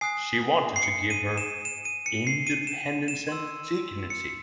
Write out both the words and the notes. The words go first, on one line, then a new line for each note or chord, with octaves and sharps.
She wanted to give her "independence and dignity".
G#5 D#6 F#6 C7
C7
C#7
D#7
E7
E7
D#7
C#7
C7
D#7
E7
E7
C6 E6
C#7